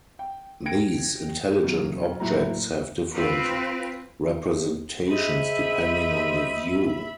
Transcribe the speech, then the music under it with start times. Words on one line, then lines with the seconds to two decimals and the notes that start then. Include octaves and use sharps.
These intelligent objects have different representations depending on the view.
0.19 G5
0.66 G5 G#6 A#6 D7
1.64 F#2 B2
2.20 F#1 A2 F#3 E4 A#5
3.14 C4 F4 B4
5.11 G#4 C5 D#5 E5 B5 D#7